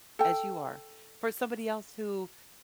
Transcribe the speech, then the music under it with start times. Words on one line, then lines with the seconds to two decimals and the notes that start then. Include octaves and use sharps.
as you are, for somebody else who
0.19 A4 G5